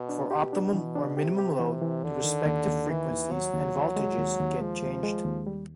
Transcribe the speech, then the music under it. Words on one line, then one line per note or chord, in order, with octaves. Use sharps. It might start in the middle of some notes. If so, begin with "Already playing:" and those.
For optimum or minimum load the respective frequencies and voltages get changed.
Already playing: B2
D4
B2 G4
D4
E3
D4
C3 G4
G4
E3
E3
D#2 D3
D#3
D#2
D#2
D#3 E3
D#2
D#2 F#3
D#2
D#2
G#3
D#2
D#2
F3 G#3
D#2
G#3
D#2
G3